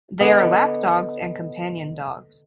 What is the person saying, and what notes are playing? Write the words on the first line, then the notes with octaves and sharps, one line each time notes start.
They are lap dogs and companion dogs.
D3 B3 D#5 G#5